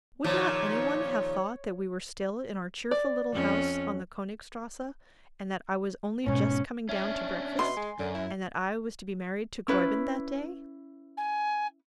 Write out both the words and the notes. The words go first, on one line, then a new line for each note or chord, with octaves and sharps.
Would not any one have thought that we were still in our cheerful little house on the Koenigstrasse and that I was only just coming down to breakfast, and that I was to be married to Graeuben that day?
D#2 A#2 F3 C#5
D5
F2 C#4
G#2 B2 C#4
C#4 D4 E5
B2 C6
G#3 G#5
F#2 D3
E4
C#4 E4 B4
G#5